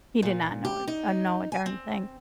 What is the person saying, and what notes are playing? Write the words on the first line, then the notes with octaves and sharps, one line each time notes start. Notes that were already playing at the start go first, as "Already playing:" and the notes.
He did not know, uh, know a darn thing.
A#2
G4
D#4
G#5
C4